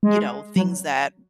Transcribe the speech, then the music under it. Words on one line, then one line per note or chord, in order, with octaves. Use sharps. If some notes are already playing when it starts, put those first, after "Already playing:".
you know, things that
G#3
F#3